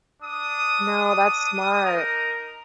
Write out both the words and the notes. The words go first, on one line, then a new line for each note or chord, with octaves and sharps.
No, that's smart.
D4 D#6
D#4 A#4